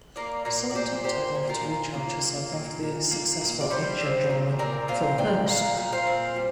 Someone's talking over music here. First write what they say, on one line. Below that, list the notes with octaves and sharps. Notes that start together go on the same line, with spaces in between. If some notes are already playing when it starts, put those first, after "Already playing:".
Song took time off to recharge herself after the successful asia drama "Full House".
A#3 A#4 D5
A#2 A#4 D5
D5
A#2 G4 C5
A#3 G4 C5
A#2
F4 A#4
A#2
A#3
A#3
A#2
A#2
A#3
A#2
D5
G3 G4 C5
C4
A#2
C4 A#4 D5
A#2 C5 F5
A#2 D5 G5
A#2 F5 A#5
A#2
C5 F5
C4
G3